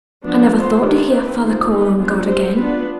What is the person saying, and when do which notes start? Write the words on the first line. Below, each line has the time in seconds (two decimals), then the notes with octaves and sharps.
'I never thought to hear father call on God again.
0.24 F3 B3 D4
0.53 G#3 B3 F4 C5
0.82 D#3 G#3 D4 G4
1.10 C4 D#4 B4
1.39 D#3 G#3 B3 F4 C5
1.68 B3 D#4 B4
1.97 G3 B3 D4 F4 G#4
2.26 C4 G4 C5
2.55 B3 D4 F4 B4